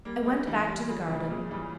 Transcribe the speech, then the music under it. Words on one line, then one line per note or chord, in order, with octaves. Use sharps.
I went back to the garden.
G3 A#3
G#3
G3 A#3
E3 G3
E3 G3
C#3 F3
G#2 C3
A#2 C#3
E3 G3